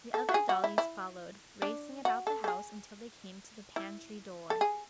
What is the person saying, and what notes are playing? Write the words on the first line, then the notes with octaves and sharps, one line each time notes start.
The other dollies followed, racing about the house until they came to the pantry door.
A4
F#4
G#4
F#4
E4
E4
D4
F#4
A4
A4
G#4
E4
A4
G#4